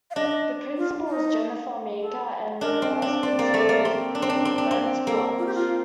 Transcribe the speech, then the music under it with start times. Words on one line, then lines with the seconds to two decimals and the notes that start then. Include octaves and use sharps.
The principal is Jennifer Meeker and the vice-principal is Brent Bloch.
0.11 F5
0.15 D4 D#5
0.77 F4
1.08 D#4
2.00 A4
2.61 D4 A#4
2.82 C4
3.02 D4
3.23 C4 D5
3.39 A#3
3.54 A3
3.69 A#3
3.85 C4
4.15 D4
4.22 C4
4.30 D4
4.45 C4
4.58 D4
4.71 C4
5.07 A#3 A4
5.39 F4
5.46 G4
5.54 F4